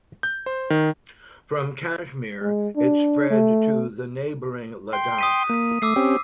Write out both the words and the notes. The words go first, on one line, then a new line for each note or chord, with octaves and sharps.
From Kashmir, it spread to the neighbouring Ladakh.
G6
C5
D#3
G#3
D4
A3
G5 C6
D#6 B6 D#7
A#3 B6 D#7
A3 D6 E6 C7
C4 C#4 G4